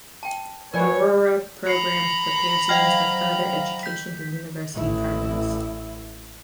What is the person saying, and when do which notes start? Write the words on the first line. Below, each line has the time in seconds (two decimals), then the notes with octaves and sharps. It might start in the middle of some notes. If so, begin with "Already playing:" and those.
Aurora programs prepare students for further education through university partners.
0.23 G5 A5
0.74 F3 A#4 B4 C#5 D5 G#5
1.67 A#5 B5 C7 C#7
2.69 F#3 C5 D#5 F5 G5 F6
3.83 G6 B6
4.75 A1 E4